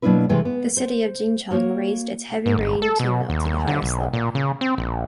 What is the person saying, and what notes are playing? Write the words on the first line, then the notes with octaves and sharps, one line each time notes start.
The city of Jincheng raised its heavy rain signal to the highest level.
B2 F#3 A#3 D4 E4 B4
C3 E3 G#3 A3 B4 G5
B3
C5
A#3 F#4 C#5
G#2
G1
A4
B2
D#2
D#2
D3
B1
A#2
C#3
C4
A#1